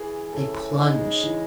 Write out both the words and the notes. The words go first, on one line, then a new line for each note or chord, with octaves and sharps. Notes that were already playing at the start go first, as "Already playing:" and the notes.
They plunged.
Already playing: E3 G#4
C#3 A4
G#3 D#4
C#3 E3